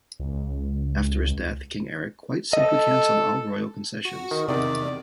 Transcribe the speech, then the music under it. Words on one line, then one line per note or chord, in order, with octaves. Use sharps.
After his death King Eric quite simply cancelled all royal concessions.
C#2
A4 D#5
F#4
D#3
E2 C3 D#3 D5